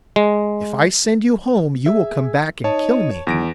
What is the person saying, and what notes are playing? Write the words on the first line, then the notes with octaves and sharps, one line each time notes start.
If I send you home, you will come back, and kill me.
G#3
G#4 E5
D#4 C#5 D#5 A5
E2 D3 D#3 F#3 A#6 D7